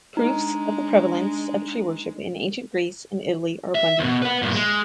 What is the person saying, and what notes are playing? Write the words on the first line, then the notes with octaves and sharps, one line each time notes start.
Proofs of the prevalence of tree-worship in ancient Greece and Italy are abundant.
G#3 D4 D#4
E5
D#2 B2
B4 F#5
G2 A#2
G#3